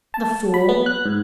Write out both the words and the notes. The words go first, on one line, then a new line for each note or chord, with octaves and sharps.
The fool!
A5
B5
B3
F#6
G#2